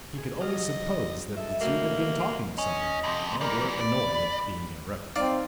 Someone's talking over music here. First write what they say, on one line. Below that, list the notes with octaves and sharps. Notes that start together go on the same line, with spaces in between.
He could only suppose that the two had been talking of something, and were annoyed at being interrupted.
G#4
F#3 D#5 D#6 F6
A4 D#5 E5
A2 A#3 F#4 G6
C#4 D#5
F2 C3
E3 A#4 D5
D5 B5
B5
C4 D#4 D5 F5